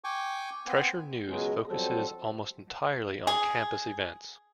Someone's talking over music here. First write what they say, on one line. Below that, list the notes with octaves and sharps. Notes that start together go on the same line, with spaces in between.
"Thresher" News focuses almost entirely on campus events.
G5 G#5 C#6 D6
B3 C4 G#5
C#2 B2 F#3 G#3
F2 F#3 G3 A4 C5
G#4